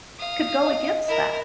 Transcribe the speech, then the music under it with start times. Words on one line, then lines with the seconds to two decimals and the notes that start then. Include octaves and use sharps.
could go against that?
0.19 F5 D#6
0.63 D#5
1.07 E4 A#4